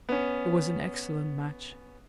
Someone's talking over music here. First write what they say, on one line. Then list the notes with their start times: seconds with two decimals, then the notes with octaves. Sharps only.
It was an excellent match.
0.09 B3 C#4